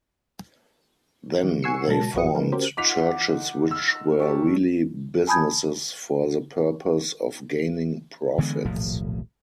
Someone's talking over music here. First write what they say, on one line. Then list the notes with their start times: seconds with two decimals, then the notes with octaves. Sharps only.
Then they formed churches which were really businesses for the purpose of gaining profits.
1.43 D#3
1.63 F#5 G#5 C#6 E6 C7 C#7
1.87 B2 F#3 G#3 A#4 A5 A#6
2.14 A#1 F#2 F#4 B4 D#6 C#7
2.34 F3 A#3 D#4 A#4 B4
2.52 C#4 F#4 G4 A#4 C5
2.77 D#4 F4 F#5 D6 B6 F7
3.71 E6 F6
4.19 G4 C#5 A5
5.27 G#5 A5 B5 D#6 G6 G#6
8.38 D3 E3 G#3 B3
8.65 D#1 B1 A2 F3